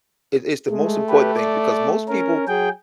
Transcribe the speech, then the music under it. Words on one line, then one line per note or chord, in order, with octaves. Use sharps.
It it's the most important thing, because most people
G#3 A3
G4 B4
D5
C#4 A#4
F#3 G#4 G5